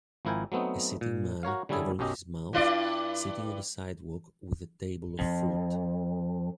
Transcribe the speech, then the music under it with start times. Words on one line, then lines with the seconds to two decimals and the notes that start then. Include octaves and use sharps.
A sitting man covering his mouth, sitting on the sidewalk with a table of fruit.
0.25 G#1 F3 E4 A#4 G5 G#5
0.52 F#3 A3 B3 C4 D#4
1.01 A#2
1.43 F#4 A#4 C#5 F5
1.69 D3 G3 C#4 E4 G#4 A4
1.99 B1 F#2 C#4 G4 D#5
2.53 G2 E4 D5
5.19 F2